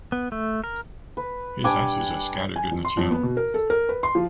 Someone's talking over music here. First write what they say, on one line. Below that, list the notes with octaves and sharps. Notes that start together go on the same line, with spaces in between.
His ashes are scattered in the Channel.
B3
A3
A#4
B4
G3 D4 G#5 D6
G#5
F2
C6
F2
B3
B2
A#4
A4
A#4
B4
C6
F3